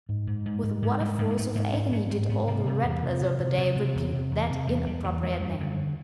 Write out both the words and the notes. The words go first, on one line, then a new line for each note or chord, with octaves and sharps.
With what a force of agony did all the Ratlers of the day repeat that inappropriate name!
G#2
G#2
G#2
G#2
G#2
G#2 G3
G#2 G#3
G#3
G#2 A3
G#2 A#3
G#2 C#4
G#2 C#4
G#2 C4
G#2 B3
C3 A#3
C3
E2
C3
C3
C3
C3
C3
E2
C3
E2
C3
E2 A3
E2 G3
E2 A#3
E2 G#3
F#2 G3
D3